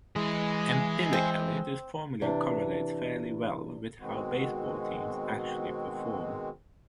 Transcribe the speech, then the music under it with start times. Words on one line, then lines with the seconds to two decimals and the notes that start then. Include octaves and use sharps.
Empirically, this formula correlates fairly well with how baseball teams actually perform.
0.16 E3 G#3 G#4 D#5
1.13 C4
2.21 C3 E3 D4
4.00 B2 D#3 G#3 C4 F#4